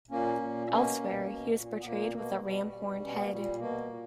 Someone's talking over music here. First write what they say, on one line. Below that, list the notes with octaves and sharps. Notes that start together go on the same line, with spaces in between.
Elsewhere he was portrayed with a ram-horned head.
A#2 A#3 C#4
A#2
B2 A#3 C#4
B2
B2
A#2
B3
A#2 A#3
B2 A#3
B2 G3
B2
B2 C#4
B3
A#3
A#2 G3
B2 A#3
A#2